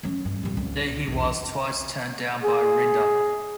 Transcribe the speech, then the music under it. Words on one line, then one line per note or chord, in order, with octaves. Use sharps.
There he was twice turned down by Rinda.
F#3 C#4
G2
F2 G3
C#2
B1 E2
G#4